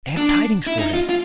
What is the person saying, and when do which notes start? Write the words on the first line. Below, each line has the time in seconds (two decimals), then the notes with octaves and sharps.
I have tidings for him.
0.17 D4
0.67 E4
0.79 D#4
0.94 F4
1.09 F4